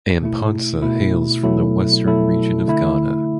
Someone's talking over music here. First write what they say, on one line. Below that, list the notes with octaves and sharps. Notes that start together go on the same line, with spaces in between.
Amponsah hails from the Western Region of Ghana.
B2 A3 E4
B2 A3 E4
B2 F#3 A3 E4 A4
B2 F#3 A3 E4 A4
D3 A3 E4